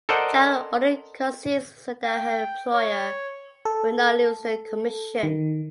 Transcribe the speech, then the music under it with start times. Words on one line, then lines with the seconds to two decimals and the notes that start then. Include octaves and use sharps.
Jan only concedes so that her employer will not lose the commission.
0.09 A4 A#4 C5 D5 D#5 F#5
2.05 G5
2.73 C#5
3.65 A4
5.23 D#3